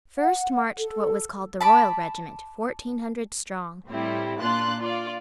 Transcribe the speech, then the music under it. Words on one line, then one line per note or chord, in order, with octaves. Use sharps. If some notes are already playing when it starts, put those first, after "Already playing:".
First marched what was called the Royal regiment, fourteen hundred strong.
F#5
A4
A5 B5 D6
A2 G3 C4 E4 G4
A#2 D4 F4 C6 F#6 A6
F4 D5